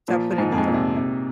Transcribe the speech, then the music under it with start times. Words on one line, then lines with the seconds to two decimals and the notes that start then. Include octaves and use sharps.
So I'll put in the oh.
0.08 A#2 F3
0.30 F3
0.38 G#2
0.52 F2
0.58 G#2
0.67 A#2
0.74 C3
0.96 C3